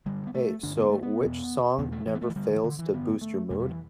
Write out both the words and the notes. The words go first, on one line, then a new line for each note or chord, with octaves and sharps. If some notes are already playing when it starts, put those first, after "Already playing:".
Hey, so which song never fails to boost your mood,
G2 D3 G3
B3
A3
G2 D3 D4
B3
A3
B3
E2 B2
E2 B2 B3
A3
E3
B3
A3
E3
G2 D3 G3
E3
D3
E3
G2 D3 B3
A3
E2 B2 A3
G3
E3